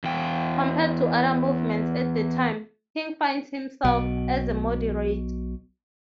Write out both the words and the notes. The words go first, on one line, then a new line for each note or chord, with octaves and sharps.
Compared to other movements at the time, King finds himself as a moderate.
E2 G5
B1 B2